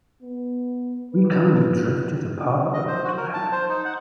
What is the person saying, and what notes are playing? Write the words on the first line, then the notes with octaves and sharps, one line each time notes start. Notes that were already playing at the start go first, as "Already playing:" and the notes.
We kind of drifted apart after that.
B3
B4
D#5
C5
F#4
A#4
A5
C5
D#4
F#5